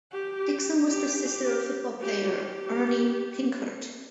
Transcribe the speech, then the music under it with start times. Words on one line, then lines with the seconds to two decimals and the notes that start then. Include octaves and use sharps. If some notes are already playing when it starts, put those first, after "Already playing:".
Dixon was the sister of football player Erny Pinckert.
0.12 G4
0.88 G4
1.26 G4
2.02 G4
2.40 G4